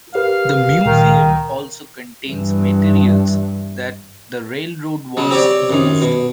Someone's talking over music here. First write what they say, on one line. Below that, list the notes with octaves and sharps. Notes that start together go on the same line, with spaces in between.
The museum also contains materials that the railroad once used.
G4 A#4 B4 F5
C#2 A#2 D#3
G2 E3
C#3 F#3
C4 G4 C#5 D5
F#2 D#3
B2